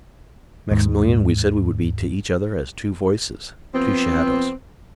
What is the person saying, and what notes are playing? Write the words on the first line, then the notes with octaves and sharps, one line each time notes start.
"Maximilian, we said we would be to each other as two voices, two shadows."
D#2 G#2
F3 B3 C4